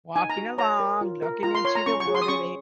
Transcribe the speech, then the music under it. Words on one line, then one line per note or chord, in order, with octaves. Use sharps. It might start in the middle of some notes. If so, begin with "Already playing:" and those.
walking along, looking into the wooded areas,
D#4 G#5
A#5
F#4
C#5 A#5
A#4
F4
A#4
F4 A#5
C6
C#5 C6
A#5
C#4 C#6
C#6
G#4
C6
D#6
C#4 C#6